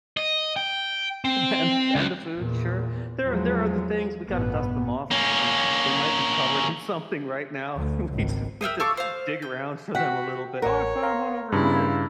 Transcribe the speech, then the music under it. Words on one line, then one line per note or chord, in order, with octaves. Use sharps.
And and the food, sure. There there are the things we gotta dust them off maybe. They might be covered in something right now. We just need to dig around for them a little bit, "Oh, I found one over here."
D#5
G5
C4
C#2
E2 A#2
E2 F3 F#3 G#3
A1 G2 B2 B3
A#3 C#4
D2
G#1 C#2
A#4 E5 G5 D#6
A4 F5 C#6 D6
C5 F5
G5
F#4 F#5 G5 B6
A1 A#4 C#5 F#5
F5 A#5 C6
G2 C#3 E4